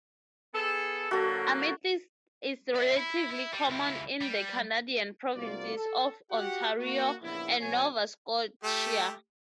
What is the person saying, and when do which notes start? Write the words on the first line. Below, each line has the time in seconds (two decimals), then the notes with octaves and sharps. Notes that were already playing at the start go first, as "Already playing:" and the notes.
Amethyst is relatively common in the Canadian provinces of Ontario and Nova Scotia.
0.54 B3 G#4 A4
1.11 D3 F#3 A#3 F#4 A4
2.76 D5 E5
2.97 E4
3.31 E4
3.53 G3
3.68 C#2 E4
4.21 G3
5.36 C2 G#2 A#3 F4 F#4 D5
5.76 A4
6.31 F#4 G4 F#5
6.78 A#3 F#4
7.21 A#1 E2 C#3 B3 E4
7.61 B2 F#3 C#5 G#5
8.64 A3 G4